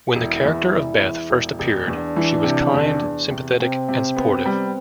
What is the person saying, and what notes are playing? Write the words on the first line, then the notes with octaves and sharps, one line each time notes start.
When the character of Beth first appeared, she was kind, sympathetic and supportive.
E1 E4
E2
E1
E2
E1
E1
E2 D4
E3
C3
E2
E2
C3
C3 C4
C3
B3
G3